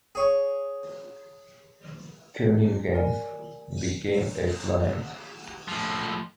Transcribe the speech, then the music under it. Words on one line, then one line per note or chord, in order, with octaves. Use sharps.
Cunningham became a client.
G#4 C#5
A#4 D5 G#5
A2 F3